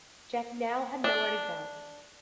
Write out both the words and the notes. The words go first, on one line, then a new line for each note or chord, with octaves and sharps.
Jack now had nowhere to go.
D4